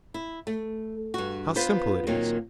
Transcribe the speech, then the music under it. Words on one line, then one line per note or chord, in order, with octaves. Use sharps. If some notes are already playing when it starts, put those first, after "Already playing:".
How simple it is.
E4
A3
G2 F#4
B3 F4 B4 C5
A#2 D#3 F#3 A#3 C4